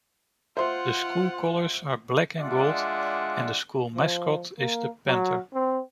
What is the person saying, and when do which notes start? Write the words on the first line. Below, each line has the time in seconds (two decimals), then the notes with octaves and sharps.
The school colors are black and gold, and the school mascot is the panther.
0.57 F4 C5 E5 F#5 C6
2.38 G#3 D4 F4 D5 E5 F#5
3.95 F3
4.59 A#3
5.07 F#3
5.54 C4